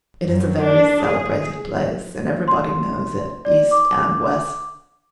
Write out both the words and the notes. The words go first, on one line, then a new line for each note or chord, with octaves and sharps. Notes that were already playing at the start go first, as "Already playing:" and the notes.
It is a very celebrated place, and everybody knows it East and West.
F#2
D4
G#4
C6
D5
D6